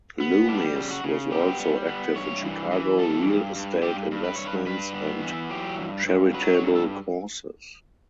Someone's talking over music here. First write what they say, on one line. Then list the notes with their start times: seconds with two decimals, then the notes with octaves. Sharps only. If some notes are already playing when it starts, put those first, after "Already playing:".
Loomis was also active in Chicago real estate investments and charitable causes.
0.20 B3
0.48 G3 D4
0.76 C#3
0.91 F#4
1.04 C#3
1.31 B3 G4
1.60 G3
1.87 B3
2.15 G2 C#5
2.44 E3
2.71 E3
2.99 G2 A4
3.27 G2
3.55 G2
3.82 G2 G4
4.11 G2
4.24 B4
4.36 G2 C#5
4.47 B4
4.66 G2 B4
4.94 B3
5.23 E3
5.50 F#3 G4
5.78 G2
6.06 G2
6.33 F#3 B4
6.55 C#5
6.62 G2
6.75 A4